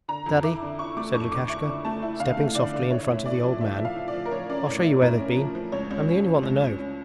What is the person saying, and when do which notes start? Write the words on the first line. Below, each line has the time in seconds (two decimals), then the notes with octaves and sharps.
Daddy,' said Lukashka, stepping softly in front of the old man; 'I'll show you where they've been--I'm the only one that knows.
0.08 D3 A#5
0.26 F2
0.44 E4 D6
0.62 D3
0.79 E4 C#6
0.97 A3 D6
1.15 F2 C#6
1.32 D3 D6
1.49 E4 C#6
1.68 D3
1.85 A3 A5
2.02 E4
2.20 D3 F5
2.37 A3
2.55 D3 D5
2.73 D3
2.90 E4 C#5
3.08 A2
3.26 E4 D5
3.44 F3
3.61 E4 E5
3.78 F3
3.85 F5
3.96 F3
4.08 D5
4.14 F3
4.25 A#4
4.31 F3 C#5
4.49 C#4 D5
4.66 A2 C#5
4.84 E4
5.01 A2 A#4
5.20 C#4
5.37 F3
5.55 F3
5.72 C#2 C#5
5.91 C#2
6.07 C#4
6.26 F3
6.43 C#2
6.61 C#2
6.79 C#4